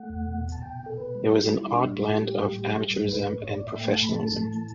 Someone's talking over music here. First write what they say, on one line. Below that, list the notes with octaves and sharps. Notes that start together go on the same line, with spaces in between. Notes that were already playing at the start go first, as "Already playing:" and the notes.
It was an odd blend of amateurism and professionalism.
Already playing: A3 F#5
E2
B2
B2
A5
B2 G5
B2
A4
B2 B4
G3
G3 F#4
F#4
G3
E4
G3 D4
A2
A2 E4
F#4
G3 G4
A2
G3
G3
A2
A2 B4
A2
A2 C#5
D5
A2
E5
A3 G5
A5
A2
B5
A3 A5
A2
E3